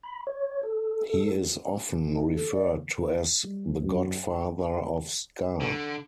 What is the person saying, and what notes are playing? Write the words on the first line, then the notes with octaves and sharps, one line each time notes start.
He is often referred to as the "Godfather of Ska".
B5
C#5
A4
A4
D#4
A4
D5
G3
F#2
D3